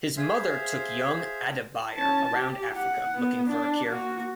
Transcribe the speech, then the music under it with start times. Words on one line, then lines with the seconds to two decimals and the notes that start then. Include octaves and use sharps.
His mother took young Adebayor around Africa looking for a cure.
0.17 G#4 C5 E5 F5
1.95 C#4 A5
2.34 G4
2.76 F#5
3.15 B3
3.49 D4
3.90 A#3 F#4